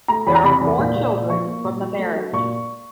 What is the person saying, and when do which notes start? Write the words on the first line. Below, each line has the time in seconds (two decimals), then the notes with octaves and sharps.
There are four children from the marriage.
0.08 A3 A#5
0.27 E2 B5
0.35 A#5
0.44 C3 B5
0.61 E2
0.78 A#2
0.96 A#2
1.13 A#2
1.29 F3 C#6
1.46 A#3
1.64 A#2
1.82 F#3
1.98 A3
2.16 F#3
2.33 A#2 C#6